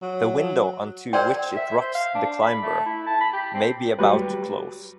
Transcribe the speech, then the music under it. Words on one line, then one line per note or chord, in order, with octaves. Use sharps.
The window onto which it drops the climber may be about to close.
F#3
A#4 C5 D5 G5
E5
C5
F5
D4
B5
A3
E4
A5
B5
G4
C4
F#3 G3 B4